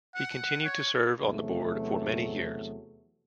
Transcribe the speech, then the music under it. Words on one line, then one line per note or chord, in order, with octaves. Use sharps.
He continued to serve on the board for many years.
F#5
C#5
E2 C3 F#3 A3